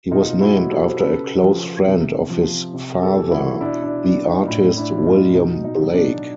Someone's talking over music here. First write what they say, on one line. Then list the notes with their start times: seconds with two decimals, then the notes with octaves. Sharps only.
He was named after a close friend of his father, the artist William Blake.
0.11 B2 D#4 F4
0.41 E4 F#4
0.55 F#3
0.70 G4 A4
0.90 C5
0.99 C#3 A4 B4
1.43 F3
1.86 C3
2.30 F3
2.74 C3
3.02 G4 A4
3.17 E3
3.31 E4 F#4
3.61 B2 D4 E4
3.83 D4
4.04 F#3 D4
4.26 D#4
4.44 F4
4.48 A2 D4 E4
4.77 D4 E4
4.91 F3
5.06 D#4 F4
5.35 B2 D#4
5.64 D#4
5.79 F#3
5.94 D4